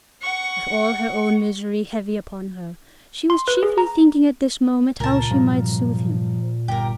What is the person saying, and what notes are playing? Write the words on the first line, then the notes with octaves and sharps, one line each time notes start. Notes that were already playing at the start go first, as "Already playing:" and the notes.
With all her own misery heavy upon her, she was chiefly thinking at this moment how she might soothe him.
F#5 C#6
C6
B4
G#4
A#5
C#2 A#2 A#4 A5
G2 C3 F3 F#3
G1 G4 A#4